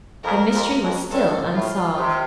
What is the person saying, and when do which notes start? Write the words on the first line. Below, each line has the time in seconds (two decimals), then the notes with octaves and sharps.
The mystery was still unsolved.
0.23 F2 A#4
0.52 F2
0.81 F2
1.10 G2 A4
1.53 A2 F4
1.97 C3